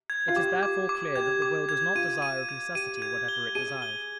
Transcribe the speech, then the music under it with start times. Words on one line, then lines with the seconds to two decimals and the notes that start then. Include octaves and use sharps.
It is therefore clear that the will does not desire of necessity whatever it desires.
0.10 G#6
0.28 F4
0.36 G4 D6
0.63 D6
0.89 D6
1.16 G4 G#6
1.42 D6
1.69 G#6
1.95 F4 D#7
2.22 D#7
2.49 G#6
2.75 G4 D#7
3.02 G#6
3.28 G7
3.55 G#4 D#7
3.82 G7